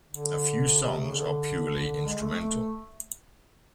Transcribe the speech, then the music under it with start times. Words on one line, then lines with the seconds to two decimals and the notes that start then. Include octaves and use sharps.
A few songs are purely instrumental.
0.08 D3
0.85 C3
1.00 C#3
1.14 D3
1.75 D3
2.06 G#3
2.20 A3
2.36 A3